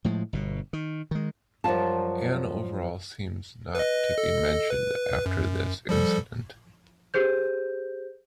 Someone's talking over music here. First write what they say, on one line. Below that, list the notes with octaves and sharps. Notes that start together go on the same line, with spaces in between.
Anne Overall seems not to be mentioned after this incident.
A2 F3 G#3
G1 B2
D#3
D#3 G#3
F#2 F3 G3 F4 A5
B4 D#5
A4 D#5
B4
F#2
F3 G3 A4
G4 G#4 C5 G6